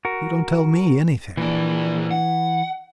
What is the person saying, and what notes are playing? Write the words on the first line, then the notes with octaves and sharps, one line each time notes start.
You don't tell me anything.
F#4 A#4
A#2 E3 D4
F#5